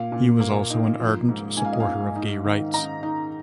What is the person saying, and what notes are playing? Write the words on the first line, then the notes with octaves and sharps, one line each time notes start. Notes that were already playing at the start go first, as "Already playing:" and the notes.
He was also an ardent supporter of gay rights.
Already playing: A#2 F5
A#2
A#3
D#4
F3
G#2
G#2 G#5
F5
D#5
F5
G#2
D#4
D#3
D#4 A#5
D#4